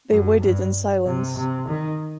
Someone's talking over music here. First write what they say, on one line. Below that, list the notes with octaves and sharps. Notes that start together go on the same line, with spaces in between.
They waited in silence.
F#2
G2
C3
C3
D#3